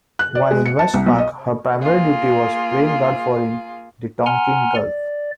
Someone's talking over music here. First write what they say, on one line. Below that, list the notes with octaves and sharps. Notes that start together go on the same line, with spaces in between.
While in WestPac, her primary duty was plane guard for in the Tonkin Gulf.
F#6
D5
G#3
C#7
A5
C2
B1
D#5
A#3 F4 G#4
F#5 G#5 A#5 C6 F6
D5